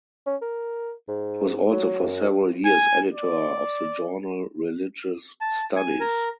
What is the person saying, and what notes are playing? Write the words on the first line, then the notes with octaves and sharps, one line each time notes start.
He was also for several years editor of the journal Religious Studies.
C#4
A#4
G#2
F#3
F#2
G#5
D5
A5
G#5
A#4